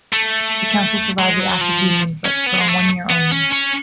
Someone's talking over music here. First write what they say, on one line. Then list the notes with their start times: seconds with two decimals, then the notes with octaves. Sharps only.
The council survived the Act of Union but for one year only.
0.13 A3
1.19 G#3
1.40 F#3
1.61 F3
2.25 C#4
2.46 B3
2.61 G#3
2.68 A3
3.10 B3
3.31 C#4
3.52 C#4